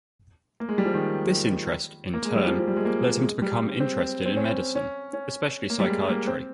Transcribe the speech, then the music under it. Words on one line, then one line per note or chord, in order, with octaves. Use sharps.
This interest, in turn, led him to become interested in medicine, especially psychiatry.
A#3
G#3
G3
F3
D#3
A#3
G#3
G3
F3
F3
G3
G#3
A#3
G#3
G3
C4
C4
C4
C#4
C#4
C#4
A#3
G3
G#3
A#3
C4